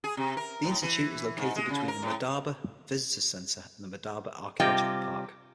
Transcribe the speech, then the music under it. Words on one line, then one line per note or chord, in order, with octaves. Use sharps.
The Institute is located between the Madaba Visitors Center and the Madaba Archaeological Park.
G#4
C3
A#4
A2
E3
G#2
G#3
C#3
A#4
A2
C3 G3 F4 D#5 G5